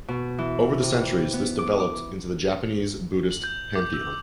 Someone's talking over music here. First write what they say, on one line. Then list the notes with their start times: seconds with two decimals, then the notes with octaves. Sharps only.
Over the centuries this developed into the Japanese Buddhist pantheon.
0.08 B2
0.38 E3
0.82 C3
1.33 B3
1.59 D6
1.80 D6
3.31 F#7
3.44 G6
3.75 D6
3.94 E6